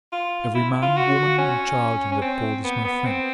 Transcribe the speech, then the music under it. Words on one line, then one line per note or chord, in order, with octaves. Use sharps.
Every man, woman, and child in that port is my friend.
F4
E4
F4
F#4
C#4
C#4
C4
B3
B3
C4